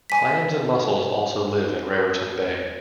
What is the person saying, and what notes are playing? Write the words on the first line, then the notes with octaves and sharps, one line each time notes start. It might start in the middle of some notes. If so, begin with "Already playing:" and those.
Clams and mussels also live in Raritan Bay.
G#5 B6